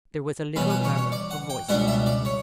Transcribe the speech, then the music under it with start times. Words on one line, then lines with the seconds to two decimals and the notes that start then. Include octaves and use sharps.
There was a little murmur of voices.
0.56 E2 B2 G3 C#4 B4
0.70 B4
0.84 C#5
0.98 C#5
1.12 D5
1.31 F#5
1.50 G5
1.69 C#2 B2 G3 B3 D4 F#5
1.88 E5
2.06 D5
2.25 C#5